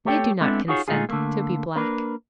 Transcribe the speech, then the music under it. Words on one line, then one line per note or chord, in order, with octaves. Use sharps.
They do not consent to be black.
A3 G4 A4 C#5 F5 G5
G#3 B3 C4 D4 E4 A4
D#4 F4 F#4 G#4 C#5
A#2 G#3 A3 D#4 F4 G#4
D3 A3 A#3
A#3 D4 A#4 B4